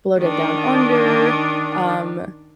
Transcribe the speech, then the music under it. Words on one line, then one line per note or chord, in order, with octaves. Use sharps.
Below Deck Down Under, um,
D#3 D4